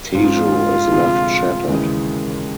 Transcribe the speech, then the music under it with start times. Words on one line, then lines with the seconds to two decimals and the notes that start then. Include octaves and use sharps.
Tejo is left shattered.
0.15 G#2 F3 G#3 C#4 F4
0.92 D2 C3 F3 G#3
1.68 D#2 C#3 E3 G#3